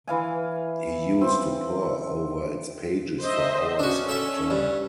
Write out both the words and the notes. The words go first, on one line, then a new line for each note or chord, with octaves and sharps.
He used to pore over its pages for hours at a time.
E3 F5 G#5
C4
C5 D#5 E5
C#4 D4 F#4
A4 E5
G2